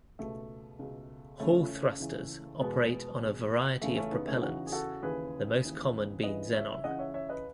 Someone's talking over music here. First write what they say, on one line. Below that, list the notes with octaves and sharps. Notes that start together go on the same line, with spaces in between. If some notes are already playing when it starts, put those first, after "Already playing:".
Hall thrusters operate on a variety of propellants, the most common being xenon.
C#2 B2 A3
C#2 B2
C#2 C#3 E3 A3 C#4
C#2 C#3 E3
E2 B2 G#3 B3
E2 B2
E2 C#3 E3 A3
A3 C#4
B3 D#4
A3 C#4
E4
E2 C#3 E3 D#4 F#4
G#4
F#4 A4
D#2 C#3 E3 G#4 B4
D#2 C#3 E3
C#2 C#3 E3 B4 D#5
C#5 E5
E5
C#2 C#3 E3 D#5 F#5
C#5 E5
C#5 E5
B4 D#5